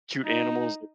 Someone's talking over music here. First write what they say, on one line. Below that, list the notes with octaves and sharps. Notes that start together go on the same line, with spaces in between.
cute animals tha
D#4